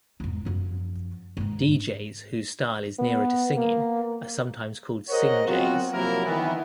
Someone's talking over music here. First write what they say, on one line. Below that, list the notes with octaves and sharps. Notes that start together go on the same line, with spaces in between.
Deejays whose style is nearer to singing are sometimes called singjays.
E2 G#2
F#2 F3
G#2 D#3
B3
A#3
G#4 A#4 C5 C#5 D#5 F#5
F#3 B3 C4 F4 F#4
C3 F3 F#3 A#3 E4 A#4
D#3 E3 B3